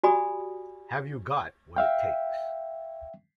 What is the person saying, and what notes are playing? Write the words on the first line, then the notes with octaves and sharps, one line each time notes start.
Have you got what it takes?
F#4 G4 D5 G#5 B5 D#6
E5 F5 G5